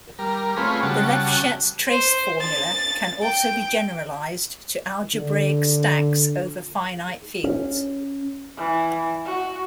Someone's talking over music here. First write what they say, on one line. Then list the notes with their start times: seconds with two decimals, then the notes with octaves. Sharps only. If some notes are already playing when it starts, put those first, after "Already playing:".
The Lefschetz trace formula can also be generalized to algebraic stacks over finite fields.
0.19 G3 A#4
0.57 A3 C4 C#4 F4 G#4 B4
0.83 C#3 G3 F#4 A5
1.87 C5
2.40 A6
3.22 G5
5.14 D3
7.44 C#4
8.57 E3
9.25 F#4